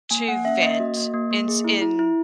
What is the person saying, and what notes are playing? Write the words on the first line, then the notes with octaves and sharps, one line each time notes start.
to vent in s in
A#3 G#5
A#3 F#5
C#4 E5
A#3 D#5
F#4
A#3
A#3
A#3
G#4
E4
E4
E4